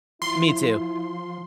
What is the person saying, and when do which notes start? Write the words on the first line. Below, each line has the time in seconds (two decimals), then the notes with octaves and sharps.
Me too.
0.22 F3 E4 C6